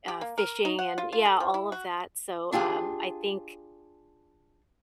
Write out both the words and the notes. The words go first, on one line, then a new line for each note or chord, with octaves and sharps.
uh, fishing, and, yeah, all of that, so, um, I think
G4
A#3
A#4
D#4
F#5
F4
F4
A4
F3
E4
F#4
D4 F4 G4 G#4